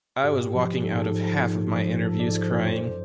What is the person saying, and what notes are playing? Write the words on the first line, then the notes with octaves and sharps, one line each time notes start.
I was walking out of half my interviews crying.
G#2 G4
F3
G#2 A4
F3
G#2
F3
G#2 A4
D5
F3
D5
F#2 C5